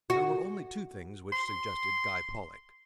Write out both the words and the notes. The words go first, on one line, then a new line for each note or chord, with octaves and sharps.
There were only two things which suggested Guy Pollock.
F#4
C6